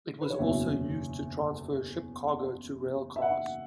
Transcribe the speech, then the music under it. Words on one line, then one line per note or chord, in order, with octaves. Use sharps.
It also was used to transfer ship cargo to rail cars.
B4
C#5
F#1 E2 B2 F#3 E5
E5
F#5